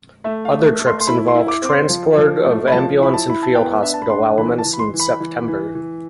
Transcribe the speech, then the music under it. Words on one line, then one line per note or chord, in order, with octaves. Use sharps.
Other trips involved transport of ambulance and field hospital elements in September.
A3 E5
F5
A3
A3
C6
C6
E4 B5
C6
E4
D6
C4 D6
C6
F3
F3
A3
B5
F3 A5
E4 B5
A5
E4 B5
A5
B3 G5
D4 E5
A5
B5
D4 C6
E3 B5
A5
E3
B5
C6
E3
B5
E3
E3
E3